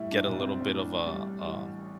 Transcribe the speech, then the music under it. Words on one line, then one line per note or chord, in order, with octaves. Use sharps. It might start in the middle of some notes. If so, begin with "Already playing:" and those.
get a little bit of, uh uh
Already playing: A2 G3 E4
D4
B1
C4
C4
A2 D4
G3
A1